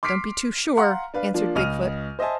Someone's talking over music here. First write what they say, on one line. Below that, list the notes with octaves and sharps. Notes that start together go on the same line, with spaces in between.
"Don't be too sure," answered Big-foot.
C6 D6 F6 B6 C7 D7
F5 F#5 A#5 C6
D4 B4 F5
F3 A#3 D4 F4
C#2 D#5 F6 D#7 F7
C5 D#5 E5 G#5 A5